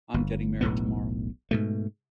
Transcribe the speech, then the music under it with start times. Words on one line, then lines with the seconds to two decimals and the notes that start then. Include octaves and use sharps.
I'm getting married tomorrow.
0.14 G1
0.61 E1 B1 A2 B3
1.51 G#2 B2 A3